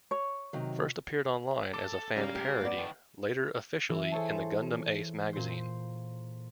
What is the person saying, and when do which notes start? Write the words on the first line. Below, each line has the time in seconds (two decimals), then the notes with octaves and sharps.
First appeared online as a fan parody, later officially in the Gundam Ace magazine.
0.11 C#5
0.53 C3 D#3 F#3
1.74 A4 D6
2.16 C#3 G3 A#4 F5
2.35 G4
2.61 B3 D5
2.78 A2 D#3
3.89 E3
4.12 G#4 A4 C5 C#5 A5
5.33 A#2 C5